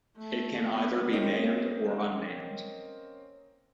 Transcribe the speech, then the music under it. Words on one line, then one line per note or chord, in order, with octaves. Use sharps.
It can either be manned or unmanned.
A3
B3
A#3 C4 C#4 D#5